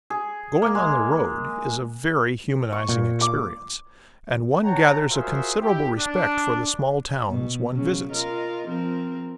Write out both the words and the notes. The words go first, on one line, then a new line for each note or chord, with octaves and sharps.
Going on the road is a very humanizing experience and one gathers a considerable respect for the small towns one visits.
G#4
A#3
G#3
C#6
A#2
D6
C#5 F#5 G5 A5 A#5
F4 F#4 G#4 A#4 C5 E5
E4 G4
D4
B2
C#3 F#3 C#4
F4 A#4 D#5
F3 C4 A#4